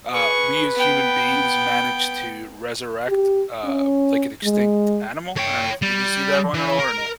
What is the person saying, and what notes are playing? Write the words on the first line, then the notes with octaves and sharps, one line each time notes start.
uh, we as human beings managed to resurrect, uh, like, an extinct animal. I don't know if did you see that one at all or not?
G#4 B4 C#6
B3 G5
G4
C#4
G#3
C#5 G5
G3
E3
A#4